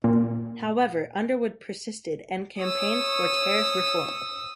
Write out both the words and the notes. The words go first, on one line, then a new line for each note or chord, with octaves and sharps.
However, Underwood persisted, and campaigned for tariff reform.
A#2
C#5 D#6 E6